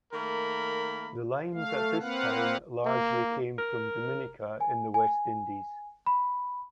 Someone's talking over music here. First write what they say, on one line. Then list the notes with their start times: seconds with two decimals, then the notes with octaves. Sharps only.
The limes at this time largely came from Dominica in the West Indies.
0.13 D#3 A3 A#3 A#4 B5
1.54 A3 F5
1.99 A#3 C4 B4 F5 F#5
2.86 A#3
3.59 A#4
4.61 G#5
4.94 G#5
6.06 B5